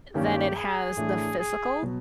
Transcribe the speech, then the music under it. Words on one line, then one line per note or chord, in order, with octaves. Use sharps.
Than it has the physical.
G2 D#3 G3 A#3 C#4 G4
G#4
A2 E3 A3 D4
G#4
B2 F#3